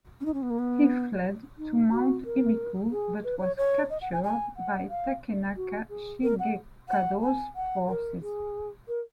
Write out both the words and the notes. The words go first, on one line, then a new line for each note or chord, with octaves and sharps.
He fled to Mount Ibuki, but was captured by Takenaka Shigekado's forces.
C#4
D#4
C#4
B3
A#3
B3
D#4
F#4
A#4
G#4
B4
C#5
C#5
D#5
F#5
G#5
G#5
F#5
F5
F#4
G#4
A#4
F#5
F#5
G#5
F#5
A#4
G#4
A#4